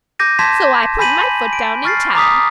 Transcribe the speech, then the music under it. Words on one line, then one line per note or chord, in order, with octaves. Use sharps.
So I put my foot down in time.
D6 G6 A#6 D#7
A5 C6 G#6 B6 E7
G#5 B5 G6 B6 D#7 F#7
D7
C#6 F6 A6 C7
A#5 D6 D#6 B6